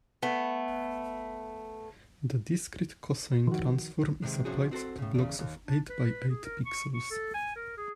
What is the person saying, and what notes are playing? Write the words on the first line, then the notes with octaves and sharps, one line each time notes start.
The discrete cosine transform is applied to blocks of eight by eight pixels.
A3 B3
D#3 F3 F#4
C3 D#3 G#3
C3 F3 C#4 F#4 G#4
C4 F#4 A4 C5
A2 C#3
E2 C#3
D#2
D4
B4
G#4
A#4
C#6
C#6
A4
G#5
A#4
G#4